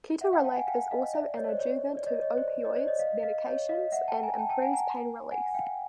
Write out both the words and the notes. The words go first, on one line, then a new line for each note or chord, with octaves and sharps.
Ketorolac is also an adjuvant to opoids medications and improves pain relief.
E5 F#5
F5 G5
G5 A5
F#5 G#5
F5 G5
D#5 F5
D5 E5
C#5 D#5
C5 D5
C#5
D5
C#5 D#5
C#5 D#5
C5 D5
C#5 D#5
C5 D5
C#5 D#5
D#5 F5
D#5 F5
C#5 D#5
D#5 F5
E5 F#5
G5 A5
G#5 A#5
G5 A5
G5 A5
F#5 G#5
G#5 A#5
F#5 G#5
F5 G5